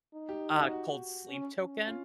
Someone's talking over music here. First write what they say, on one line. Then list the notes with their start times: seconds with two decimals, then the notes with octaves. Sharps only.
uh, called Sleep Token.
0.14 D#4
0.29 G4
0.57 F#4
0.71 F#4
1.29 C#4
1.58 C#4
1.87 F4